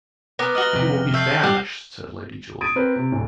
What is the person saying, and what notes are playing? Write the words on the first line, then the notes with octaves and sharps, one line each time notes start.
"But you will be famished," said Lady Julia.
B3 A#4 D6 A#6
F#4 D#5 F6 F#7 G7
F2 C3
A3 E6 G6 C7
G3 G4 F#5
D#6 G#6 A6 D7 D#7
C4 A#4 B4
C3
D1